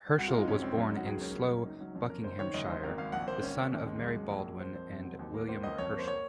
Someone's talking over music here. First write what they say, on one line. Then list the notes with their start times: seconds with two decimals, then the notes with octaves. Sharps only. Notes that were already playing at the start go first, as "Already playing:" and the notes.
Herschel was born in Slough, Buckinghamshire, the son of Mary Baldwin and William Herschel.
0.18 C2 F#4
0.28 F4
0.32 G#3
0.38 D#4
0.48 F1 C#4
0.62 G#3 C4
0.77 F#2 C#4
0.87 D#4
0.92 F#2 F#4
1.06 C#2 G#4
1.21 A#3 C#4
1.36 F#2 C#4
1.51 F#2
1.65 F#1 D#4
1.80 F#3 C#4
1.95 F2 C#4
2.10 A#3 A#4
2.24 F#1 C5
2.39 D#3 C#5
2.54 F#1 D#5
2.68 F#1 C5
2.83 G#1 A#4
2.98 G#1 F5
3.12 A#1 F#5
3.28 A#3 C5
3.42 G#1 C#4
3.57 G#1
3.72 D#2
3.87 G#3
4.01 F#2 G#4
4.16 F#2
4.30 A#1
4.45 A#3
4.60 F2 C5
4.75 F2 C5
4.89 F1
5.05 F#3
5.19 D#2
5.34 A#3
5.49 C#2 C5
5.63 C#2 D#5
5.78 F2 C#5
5.93 A#3
5.99 C5
6.08 C#5